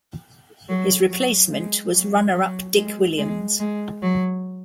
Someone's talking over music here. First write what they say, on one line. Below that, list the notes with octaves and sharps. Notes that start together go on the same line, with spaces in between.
His replacement was runner up Dick Williams.
F#3
F#3
G#3
F#3
F#3
G#3
G#3
G#3
F#3